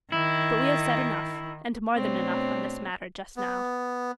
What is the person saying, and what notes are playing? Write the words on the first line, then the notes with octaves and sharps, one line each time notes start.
But we have said enough, and more than enough, on this matter, just now.'
D#3 E4
B2 A3 C4 D4 C#5
B3